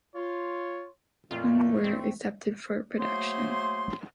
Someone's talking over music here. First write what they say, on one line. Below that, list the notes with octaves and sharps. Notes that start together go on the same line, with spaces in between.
None were accepted for production.
F4 C#5
F2 A#2 E3 A3 F4
C4
F#3 A3 A#3 G#4 C5 C6